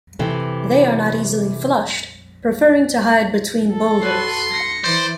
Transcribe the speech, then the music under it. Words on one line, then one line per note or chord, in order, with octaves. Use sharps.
They are not easily flushed, preferring to hide between boulders.
C3 E3 A3
A4
F#4 B4 C6
A#6 C#7
E3 C5 D5